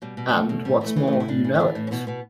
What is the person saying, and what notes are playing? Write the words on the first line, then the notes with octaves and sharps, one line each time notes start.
And, what's more, you know it.
B2 G3
B2
G3
B2 A3
B2
A2 G3
E3
A3
E3
A3
A2
E4
A2 D4
E3
C#4
E3 D4
A2
C#4
B2 B3
B2 B3